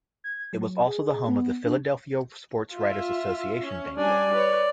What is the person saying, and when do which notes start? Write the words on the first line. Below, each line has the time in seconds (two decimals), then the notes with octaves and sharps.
It was also the home of the Philadelphia Sports Writers Association Banquet.
0.24 G#6
0.53 F#3
0.87 G#4
1.28 B3
1.65 D4
2.74 F4 E5
3.66 C#4
3.98 G3 D4 D5 G#5
4.35 B4 C#5